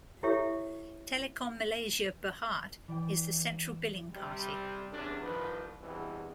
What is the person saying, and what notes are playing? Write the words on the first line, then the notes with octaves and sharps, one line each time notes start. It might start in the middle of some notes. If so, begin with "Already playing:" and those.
Telekom Malaysia Berhad is the Central Billing Party.
E4 G4 A4 C#5 E5
E3 D5 G5
C3 G3
E2 C3 C#4 D4
C2 D#3 F3 B4
E2 G2 B2 E3 C4